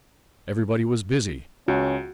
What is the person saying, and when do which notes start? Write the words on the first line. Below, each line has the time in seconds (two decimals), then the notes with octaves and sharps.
Everybody was busy.
1.68 C#2 C#4 F#4